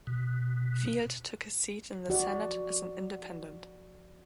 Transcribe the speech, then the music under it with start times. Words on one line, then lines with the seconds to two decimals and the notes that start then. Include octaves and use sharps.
Field took his seat in the Senate as an independent.
0.07 B2
2.08 F3 F#4 D5